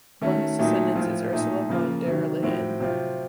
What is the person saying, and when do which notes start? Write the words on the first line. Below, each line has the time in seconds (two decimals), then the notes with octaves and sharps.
Among his descendants is Ursula von der Leyen.
0.22 D#3 A3 C#4 F#4
0.59 A#2 F#3 A3 D#4 F#4
0.96 A2 F3 C4 F4
1.32 A#2 A3 D#4
1.69 C#3 F3 A#3 F4
2.06 C3 D#3 F#3
2.43 A2 F3 C4 F#4
2.80 C3 F#3 C4 F4